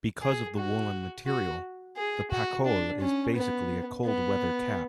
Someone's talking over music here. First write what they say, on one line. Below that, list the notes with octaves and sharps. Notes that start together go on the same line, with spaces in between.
Because of the woolen material, the pakol is basically a cold weather cap.
G#4
F#4
F#4
G#4
F#4
D4
C#4
B3
B3